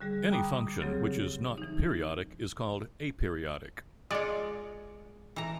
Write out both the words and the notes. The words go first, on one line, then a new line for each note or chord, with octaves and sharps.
Any function which is not periodic is called aperiodic.
D3 G3 G#4
G5 A#5 B5 D6 D#6
C#3 F#3 C4 G4 G#4
E3 D#4
G#3 F4 D5 C#7
E3 A#5